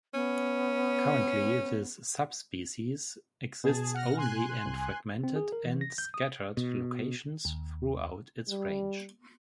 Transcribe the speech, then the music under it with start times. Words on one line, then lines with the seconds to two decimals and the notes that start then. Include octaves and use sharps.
Currently, this sub-species exists only in fragmented and scattered locations throughout its range.
0.14 B3 C#4
3.64 B2 G#4 A5
3.94 F#5 F6 A#6
4.17 G#5 C6 F#6
4.66 C2
5.24 C4
5.36 G#4
5.52 A#4
5.65 E3
5.81 A#6
5.98 G6
6.14 D#6
6.57 B2
7.45 D#2
8.49 G3